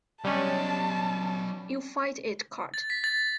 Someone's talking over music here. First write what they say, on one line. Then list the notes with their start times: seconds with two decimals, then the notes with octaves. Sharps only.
You fight it cut.
0.24 F#3 G3 C#4 D#5 A5
2.74 A6
2.90 B6
3.04 A6